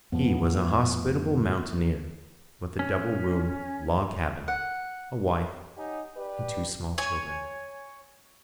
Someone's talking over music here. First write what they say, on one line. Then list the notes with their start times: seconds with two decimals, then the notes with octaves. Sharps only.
He was a hospitable mountaineer, with a double-roomed log cabin, a wife and two small children.
0.12 F2 A2 F3 B3
2.79 C#4
4.48 F#5
5.77 D#4 G4 C#5 D#5 F#5 G#5
6.16 G4 B4 D5
6.98 C#5 G#5